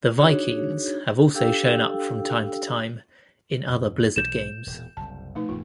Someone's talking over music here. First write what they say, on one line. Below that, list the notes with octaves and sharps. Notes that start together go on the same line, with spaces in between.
The Vikings have also shown up from time to time in other Blizzard games.
D4 D#4 F#4 G#4 C#5
D4 G4 A4 F5 G5 E6
F2 A#2
B1 E3 G6 E7
E1 A#2
F#1 C2 A5
B2 F3 A3 D#4 B4
E1 E2 G#2 F4